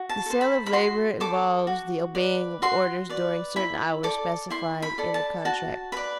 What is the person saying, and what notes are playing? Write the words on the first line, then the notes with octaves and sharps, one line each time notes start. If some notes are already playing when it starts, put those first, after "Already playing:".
The sale of labor involves the obeying of orders during certain hours specified in the contract.
Already playing: F#4
A5
A4 C5
B5
B5
F#4 C6
A4 C5 D6
F#4
B4 D5
F#4 C6
B4 D5
E4 B5
A4 D5 D6
E4 C6
B5
A4 D5
A5
F#4 A5
B4 D5 B5